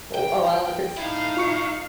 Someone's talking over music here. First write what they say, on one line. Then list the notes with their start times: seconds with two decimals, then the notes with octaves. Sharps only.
O oh, well, if it's
0.15 G5
0.98 D#4 E4 A4 F5
1.37 F4 C#6 C#7